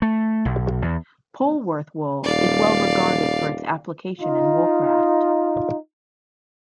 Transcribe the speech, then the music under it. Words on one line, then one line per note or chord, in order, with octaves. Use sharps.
Polwarth wool is well regarded for its application in woolcraft.
A3
B1
E2
D#1 D5 F5
D#4 F4